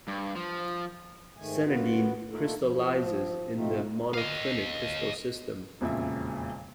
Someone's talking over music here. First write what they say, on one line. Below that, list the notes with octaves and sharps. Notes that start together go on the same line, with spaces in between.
Sanidine crystallizes in the monoclinic crystal system.
G2
F3
G#2 D#3 A3 G#5
F#2 B3 F4 F#4 B4
A3 A#3 D#4 F4 A4
F3
G#2 B2 A3 C4 D#4 F4
D#5 F5
E1 F2 A#2 C#3 E5